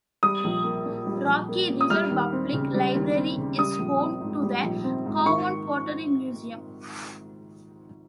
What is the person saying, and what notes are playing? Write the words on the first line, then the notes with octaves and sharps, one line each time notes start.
Rocky River Public Library is home to the Cowan Pottery Museum.
G3 D#6
A#1
A#3
A#2
G3
A#1
A#3
A#2
D#6
G3 F6
D#2
C4
C#3
G3
D#2
C4
C#3
G3 D#6
A#1
C4
G#2
G3
A#1
C4
G#2
D#3 C#6